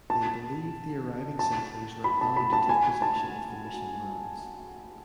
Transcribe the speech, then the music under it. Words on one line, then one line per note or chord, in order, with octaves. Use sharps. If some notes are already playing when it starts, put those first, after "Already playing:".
They believed the arriving settlers were planning to take possession of the mission lands.
A5
A5
B5
A5
B5
A5
G#5
A5